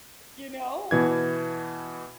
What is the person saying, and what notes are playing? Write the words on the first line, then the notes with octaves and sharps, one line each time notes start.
you know?
B2 E3 G#6